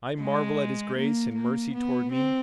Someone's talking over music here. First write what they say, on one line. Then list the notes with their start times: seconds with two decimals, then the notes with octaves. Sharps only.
I marvel at his grace and mercy toward me.
0.20 G#3
0.97 A#3
1.35 A#3
1.74 B3
2.12 C4